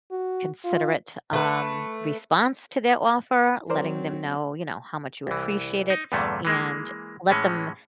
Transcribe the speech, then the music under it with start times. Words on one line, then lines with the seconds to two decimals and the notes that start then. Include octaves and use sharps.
considerate, um, response to their offer, letting them know, you know, how much you appreciate it, and let them
0.12 F#4
0.65 F4
1.33 A3 B4
3.70 F#3 C4 A#4 C5 D5
5.27 C2 E3
5.90 D#4
6.12 E2 G2 A#2 D3 A3 C#4
6.45 E3 G#3 A#3
7.30 A2 E3 G#3 C#4